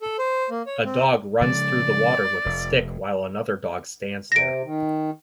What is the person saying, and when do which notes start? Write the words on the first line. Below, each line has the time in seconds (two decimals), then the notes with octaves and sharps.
A dog runs through the water with a stick while another dog stands there.
0.01 A4
0.18 C5
0.50 A#3
0.66 C#5
0.85 C4
1.41 C#3 F3 G#3 D5
2.46 F1
4.32 C3 A#6 D7
4.64 D#3